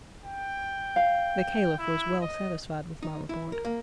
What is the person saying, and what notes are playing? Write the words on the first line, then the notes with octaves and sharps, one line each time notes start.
The Caliph was well satisfied with my report.
G5
F5
E4
D#5
D#4
E4
A#4
A#3